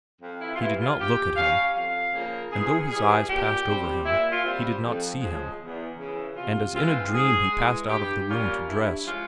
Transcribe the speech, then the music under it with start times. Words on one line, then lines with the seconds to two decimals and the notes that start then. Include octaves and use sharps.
He did not look at him, and though his eyes passed over him, he did not see him; and as in a dream he passed out of the room to dress.
0.21 F2
0.41 E4
0.55 F4
0.60 C3 E3 E4
0.79 F4
0.99 A#2 G4
1.36 G3 C#4 F5
1.75 F2 F5
2.14 C#3 F3 A#3
2.52 E2 G#4
2.90 E3 G3 G#4
3.29 A#2 G4
3.67 G3 C4
4.05 A#2 E4
4.31 F4
4.44 G3 C4
4.83 F2
5.20 C#3 F3 G#3
5.59 E2
5.98 C#3 E3
6.36 C3 F4
6.74 E3 G#3 C4 F4
7.13 G#2 G#4
7.52 E3 G#3
7.89 G2 G4
8.28 G3 A#3 C#4 F4
8.66 G2 E4
9.04 F3 G#3 C#4 F4